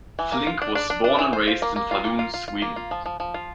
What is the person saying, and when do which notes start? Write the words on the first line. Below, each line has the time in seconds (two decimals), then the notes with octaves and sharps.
Flink was born and raised in Falun, Sweden.
0.19 E3
0.32 A#3
0.47 F4
0.62 D4
0.75 D4
0.90 D4
1.04 D4
1.19 E3
1.33 C5
1.47 F4
1.62 A#3
1.76 A#3
1.91 F4
2.04 A#3
2.19 F4
2.34 F4
2.48 F4
2.62 A#3
2.76 F4
2.91 F3
3.06 F3
3.20 F3
3.34 F4